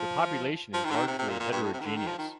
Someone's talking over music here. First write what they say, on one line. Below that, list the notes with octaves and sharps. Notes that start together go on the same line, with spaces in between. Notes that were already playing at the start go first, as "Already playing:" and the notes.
The population is largely heterogeneous.
Already playing: F3
F3
D#3
D3
D#3
C3
C3
A#2
A#2
G2
A2
C3
D#3
D3
D#3
F3
D#3